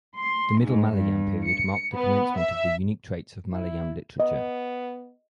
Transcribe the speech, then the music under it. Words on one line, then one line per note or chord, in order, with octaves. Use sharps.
The Middle Malayalam period marked the commencement of the unique traits of Malayalam literature.
C6
G#2
G2
C#7
B3
E5
E4
B3 D#5